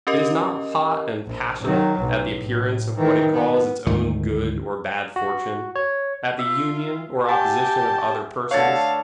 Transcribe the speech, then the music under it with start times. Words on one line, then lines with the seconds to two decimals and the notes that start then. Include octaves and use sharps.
It is not hot and passionate at the appearance of what it calls its own good or bad fortune, at the union or opposition of other persons.
0.07 C#4 G4 A#4 D#5
1.26 A#1
1.63 D#3 F#3
1.99 B1
2.35 A2
2.97 D#3 E3
3.31 B3
3.87 D2 G#2 D#3 A3
5.16 F#4
5.76 C#5
6.39 F4 E5
7.29 G4 F#5 G#5 A5
8.51 D3 A3 C#5 F5 A5 C#6 G#6 A6